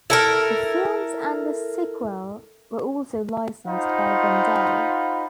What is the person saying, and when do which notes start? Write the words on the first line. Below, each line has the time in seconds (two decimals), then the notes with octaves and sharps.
The films and the sequel were also licensed by Bandai.
0.10 E4 A4 A#4
3.67 D#4 F4 C5 F5 F#5 B5